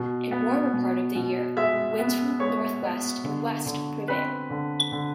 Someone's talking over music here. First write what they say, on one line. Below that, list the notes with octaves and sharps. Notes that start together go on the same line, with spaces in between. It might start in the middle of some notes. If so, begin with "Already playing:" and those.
In warmer part of the year, winds from northwest and west prevail.
Already playing: B2
B3
B2
B2
G#3 E5
B3
G#3 C#5
B3
D3
D3
C4 B4
D3
D3